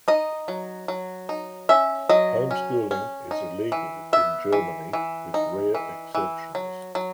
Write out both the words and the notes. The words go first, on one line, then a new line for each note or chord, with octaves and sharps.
Homeschooling is illegal in Germany, with rare exceptions.
D#4 D#5
F#3
F#3
D#4
C#4 E5
F#3 D#5
C#4
C#4
D#4
E3
B3 E5
E3
E3
D#4
E3
E3
F#3
F#3